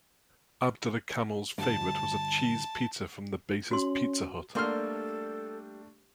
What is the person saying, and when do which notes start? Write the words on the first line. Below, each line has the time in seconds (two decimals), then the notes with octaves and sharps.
Abdullah Kamel's favorite was a cheese pizza from the base's Pizza Hut.
1.58 D2 G2 A5
3.71 C#4 F#4 C6
4.55 G3 A3 A#3 D4 A4 C6 F6